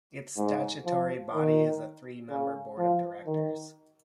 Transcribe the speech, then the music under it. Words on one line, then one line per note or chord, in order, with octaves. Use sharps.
Its statutory body is a three-member Board of directors.
G#2
F3
D#3
C#3
F3
D#3